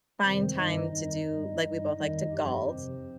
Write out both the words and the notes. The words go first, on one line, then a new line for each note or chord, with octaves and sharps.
find time to do like, we both like to golf.
F2 C3 D#3 G3 C4 C5
G2 D#3 G3 D#4 D#5
F2 D#3 G3 D#4 D#5
G2 G3
G2 G3
F2 D#3 G3 D#4 D#5
G2 F3 G4
F2 C3 F3 C4 C5